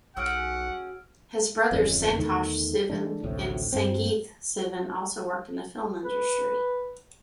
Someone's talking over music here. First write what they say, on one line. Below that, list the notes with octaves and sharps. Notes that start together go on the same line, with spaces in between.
His brothers Santosh Sivan and Sangeeth Sivan also work in the film industry.
B1 C#4 F#4 G#4 F#5 E6 F6 D7
D1 F2 G#3 C#4
E2 D#3 A3
E3 A3 D4
A1 D2 A2 C3
G2 C4
B4